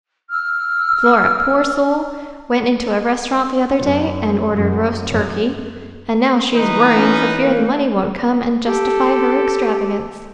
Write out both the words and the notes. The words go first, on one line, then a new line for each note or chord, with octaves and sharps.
Flora, poor soul, went into a restaurant the other day and ordered roast turkey, and now she's worrying for fear the money won't come and justify her extravagance.
E6 F6
F#2
F#2
F#2
E3 D#4 B4
C#4
A#3
G4 A4